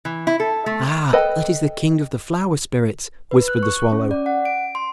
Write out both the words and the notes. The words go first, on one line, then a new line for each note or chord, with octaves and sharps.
'Ah, that is the king of the flower-spirits,' whispered the swallow.
E3
E4
A4
A3
A4 B4 D#5 G5
B4
F#6
C#6
C#4
D5
F#5
D7
C6